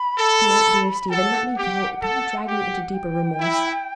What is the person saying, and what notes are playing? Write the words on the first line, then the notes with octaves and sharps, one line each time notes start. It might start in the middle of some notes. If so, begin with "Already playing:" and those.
Dear, dear Stephen, let me go!--don't drag me into deeper remorse.
Already playing: B5
A4
A4 F#5 G5
G4
A4
G4
G5
E4